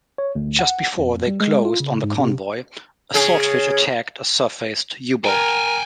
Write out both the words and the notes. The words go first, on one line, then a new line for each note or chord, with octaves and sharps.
Just before they closed on the convoy a Swordfish attacked a surfaced U-boat.
C#5
D2
F#5
F2
G3
G#3
F4
C#3
G#2
C3
C#3 G#4
A#4 G5 G#5